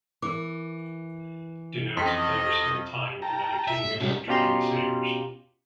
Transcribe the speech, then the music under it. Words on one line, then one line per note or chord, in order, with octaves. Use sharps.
Denotes player spent time with another team before joining the Sabres.
E3 A#4 D6
F2 C#4 D#5 G5 C6 B6
G5 A5 A#5
E5
A2
C2 G#3 C#4 F#4
B2 C#4 F4 G4 A#5 C6